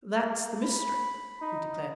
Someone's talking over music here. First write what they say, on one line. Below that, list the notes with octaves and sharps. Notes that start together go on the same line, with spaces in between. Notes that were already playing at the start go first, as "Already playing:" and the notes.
"That's the mystery," he declared.
A#3
B5
D#4